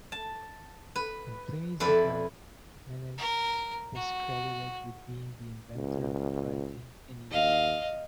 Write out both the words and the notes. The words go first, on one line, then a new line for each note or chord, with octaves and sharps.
In Pliny's account, Menes was credited with being the inventor of writing in Egypt.
A5
B4
F2 E4 B4 D5
A#4
F#4
C#2
D#2 D#5 F5